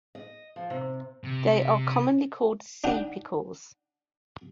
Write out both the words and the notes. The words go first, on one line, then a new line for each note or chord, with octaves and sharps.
They are commonly called sea pickles.
D#5
F3
C3
C3
D4 D#4 F#5 G5